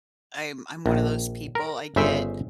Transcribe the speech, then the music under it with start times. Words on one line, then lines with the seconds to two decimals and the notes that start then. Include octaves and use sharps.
I'm I'm one of those people, I get,
0.86 A#1
1.55 A#4
1.96 G1 C#3 C5 E5